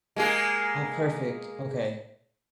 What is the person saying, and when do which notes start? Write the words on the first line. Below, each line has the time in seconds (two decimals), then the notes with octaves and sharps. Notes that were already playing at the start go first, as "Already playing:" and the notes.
Oh, perfect, okay.
0.16 G#3 A#3 G#4